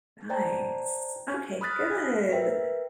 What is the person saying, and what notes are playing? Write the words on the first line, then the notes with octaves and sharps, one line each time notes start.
Nice, okay, good, th
C5 D5 G5 A5 A#5
B5 D#6 F6 F#6 A6 B6
A#4 B4 E5 G5